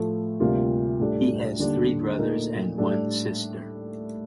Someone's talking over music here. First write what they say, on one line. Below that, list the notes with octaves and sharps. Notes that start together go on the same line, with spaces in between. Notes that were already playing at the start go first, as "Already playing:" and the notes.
He has three brothers and one sister.
Already playing: A2 F3 A3
D2 C3 G3 A#3 F4
A2 G3 D4 A4
D#2 D3 G3 D4
A#2 A3 D#4 A#4
A2 G3 D4 A4